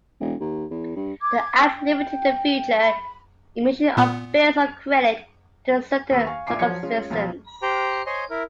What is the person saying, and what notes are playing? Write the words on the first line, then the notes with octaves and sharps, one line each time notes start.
The Act limited the future emission of bills of credit to certain circumstances.
E1
D#2
E2
G2
D6 G#6
G5
B5
A#2 B3
D#2 B4 E6
F5 G#5 C#6
A#1 F4 E5 G#5 D6 C7
F3 F#3 C#5 G#6 C#7
G#3 C#4 F4
B1 F3 F5 A6
G4 C5 G5 A#5
C5 C#5 D#5 G#5 C6
E4 A#4